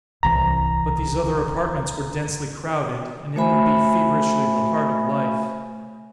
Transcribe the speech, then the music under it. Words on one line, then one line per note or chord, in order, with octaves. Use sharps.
But these other apartments were densely crowded, and in them beat feverishly the heart of life.
D1 C2 E3 A#5
A3 F#4 C5 E5 G#5 B5